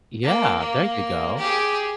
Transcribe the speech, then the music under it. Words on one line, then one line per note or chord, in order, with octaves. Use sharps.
Yeah, there you go.
A#3
A#3
G4 G#4